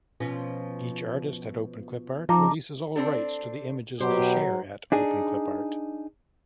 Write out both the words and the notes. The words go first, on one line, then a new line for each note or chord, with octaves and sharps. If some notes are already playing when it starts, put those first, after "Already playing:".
Each artist at Openclipart releases all rights to the images they share at Openclipart.
B2 F3 C#4
F3 C4 D#4 A5 A#5 D6
C4 D4 A4
B2 F#3 G4 C5
D4 D#4 G#4